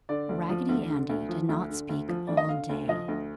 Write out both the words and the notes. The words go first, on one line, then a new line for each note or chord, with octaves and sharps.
Raggedy Andy did not speak all day.
D3 D5
D2
F3
D2
D3
D2
F3
D2
D3
D2
F3
D2 D5
D#5
D3 F5
D2
F3 D#5
D2